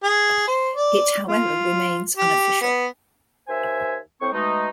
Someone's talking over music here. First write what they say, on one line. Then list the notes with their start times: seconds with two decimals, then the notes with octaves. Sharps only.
It however remains unofficial.
0.03 G#4
0.48 C5
0.75 D5
1.28 F4
2.17 G4
2.61 B3
3.48 D#2 C5 E5 G#5
4.20 A2 C4 C5 C#6
4.33 B2 G#3 A3 D#4